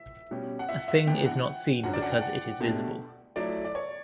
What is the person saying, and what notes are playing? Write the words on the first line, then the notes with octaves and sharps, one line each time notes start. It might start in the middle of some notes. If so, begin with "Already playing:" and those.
A thing is not seen because it is visible.
Already playing: E5
B2 G3 C#4 G4
F#5
E5
E5
E3 B3 D4 G5
G5
F#5
F#2 D3 F#3 F#5
D5
F#5
G5
F#5
B2 A3 D4 G4
F#3 A3 E4 D5
D5
C#5